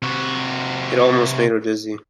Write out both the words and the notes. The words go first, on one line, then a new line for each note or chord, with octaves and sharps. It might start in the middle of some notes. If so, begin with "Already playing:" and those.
It almost made her dizzy.
C3 F#4